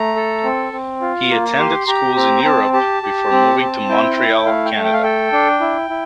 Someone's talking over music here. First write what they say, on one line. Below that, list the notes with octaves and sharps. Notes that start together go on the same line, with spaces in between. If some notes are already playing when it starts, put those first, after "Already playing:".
He attended schools in Europe before moving to Montreal, Canada.
Already playing: A3 A#5
A4
C4
C4
F4
A#3
G4 C6
G4 A#5
C4 A#5
G5
C4 A5
G4 A5
G4
C4
C4
E4 G5
E4
A3 F5
G5
A3
G5
F5
A4 G5
D4
E4
E4